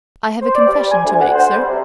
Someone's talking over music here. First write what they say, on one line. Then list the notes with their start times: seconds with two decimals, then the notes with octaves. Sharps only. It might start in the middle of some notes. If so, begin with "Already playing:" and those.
I have a confession to make, sir.
0.42 C5
0.54 D5
0.67 G3
0.91 G#5
1.04 D2
1.21 F#5
1.33 C5
1.53 G3
1.68 C3